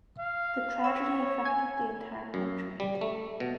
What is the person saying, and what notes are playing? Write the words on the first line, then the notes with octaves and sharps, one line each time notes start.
The tragedy affected the entire country.
F5
C#5 E6
G#5
F#2
G3
A3
B2